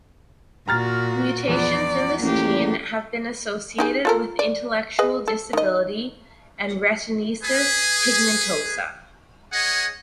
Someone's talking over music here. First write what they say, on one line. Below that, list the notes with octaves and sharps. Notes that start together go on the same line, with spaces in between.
Mutations in this gene have been associated with intellectual disability and retinitis pigmentosa.
A#2 F#4 A#5 F6 A6
E2 F3 B3 D5
A1 A#3 G4
D#4 G4 G#4
F4 A4 A#4
D5
G#4 B4 D#5
A4
D#3 D#5
G#4 B4
G#4 C#5 D#5 F#5